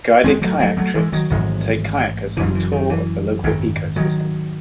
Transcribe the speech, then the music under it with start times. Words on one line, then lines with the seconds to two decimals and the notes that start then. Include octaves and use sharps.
Guided kayak trips take kayakers on a tour of the local ecosystem.
0.24 G#1 G#2 G#3 C4
0.42 F#3 A3
0.60 F#3 A3
0.77 F#3 A3
0.95 E3 G#3
1.12 D#3 F#3
1.30 A1 G#2 D#3 F#3
2.37 F#1 F#2 C#3 E3
2.55 E3
2.72 D#3
2.90 E3
3.43 G#1 F#2 C#3
3.96 D#3 F#3